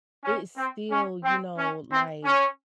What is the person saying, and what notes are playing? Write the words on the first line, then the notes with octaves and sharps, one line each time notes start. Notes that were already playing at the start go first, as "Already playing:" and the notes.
it still, you know, like,
C#4
C4
C#4
C4
C#4
C4
C#4